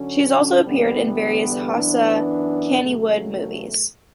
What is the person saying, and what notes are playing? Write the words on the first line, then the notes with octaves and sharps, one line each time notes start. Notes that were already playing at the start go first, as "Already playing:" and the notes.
She has also appeared in various Hausa Kannywood movies.
Already playing: D3 F#3 C#4
E2 D3 G3 B3
F#2 E3 B3 D4
E2 C#3 F#3 A3